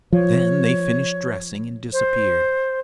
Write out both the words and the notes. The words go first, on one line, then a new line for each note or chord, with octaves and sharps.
Then they finished dressing and disappeared.
F3 C#5
C5